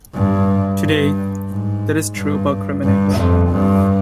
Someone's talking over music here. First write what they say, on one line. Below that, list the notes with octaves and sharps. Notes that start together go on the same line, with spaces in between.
Today that is true about criminals.
G2
G2
G#2
G2
G2
F2
G2